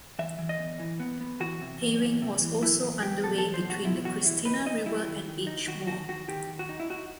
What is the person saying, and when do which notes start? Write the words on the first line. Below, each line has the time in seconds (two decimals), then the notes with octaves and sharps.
Paving was also underway between the Christina River and Edgemoor.
0.19 E3 E5
0.39 E3
0.49 D#5
0.59 E2
0.79 E3
1.00 B3
1.21 B3
1.40 E3 F#4
1.61 C3
1.81 E2
2.02 E2
2.22 C3
2.42 E3
2.62 E2 E4
2.83 E2
3.03 E2 G4
3.23 B2 A4
3.38 A4
3.44 E2
3.54 C5
3.65 B2
3.70 F#4
3.85 B2 E4
4.04 E2 F#4
4.25 B2 E4
4.45 D#4 B4
4.66 D#4 D#5
4.86 G3 E4
5.07 D#3
5.27 D#3
5.47 D#4
5.67 D#3 F#4
5.87 D#3 F#4
6.09 D#3 F#4
6.28 D#3 G4
6.48 D#3
6.59 F#4
6.69 D#4
6.80 E4
6.90 D#4 F#4